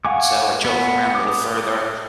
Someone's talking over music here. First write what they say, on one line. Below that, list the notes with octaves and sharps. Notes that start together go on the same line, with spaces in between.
So, I drove around a little further,
F5 F#5 G#5 C#6 D6
B3
D6 D#6